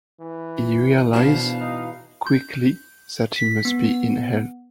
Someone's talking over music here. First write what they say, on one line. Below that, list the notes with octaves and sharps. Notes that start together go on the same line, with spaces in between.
He realizes quickly that he must be in hell.
E3
E2 B2 F3 D4 F#4 F5
D#4
G6
B6
B3